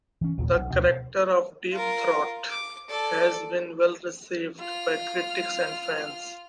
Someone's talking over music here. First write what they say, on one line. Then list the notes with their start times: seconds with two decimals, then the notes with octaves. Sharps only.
The character of Deep Throat has been well received by critics and fans.
0.21 E3 C#4
0.37 F1 D#2 A#2 G3
0.53 B1
0.73 D2 B2 D3 F3
1.72 F4 A#4
2.49 D6
2.88 A4 D5
4.59 F4 F6